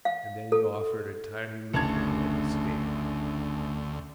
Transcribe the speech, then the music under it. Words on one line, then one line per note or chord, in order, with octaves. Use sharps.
And then he offered a tiny loophole of escape.
F5
A4
F#1 D2 A3 C#4 D4 A5 G#6